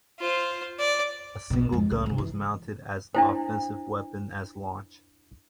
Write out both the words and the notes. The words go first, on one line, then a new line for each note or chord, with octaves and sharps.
A single gun was mounted as the offensive weapon as launch.
F4 C5
D5
A#1 B2
F2 G#3
C#2
C3 F#3
E3
D4 E4 C5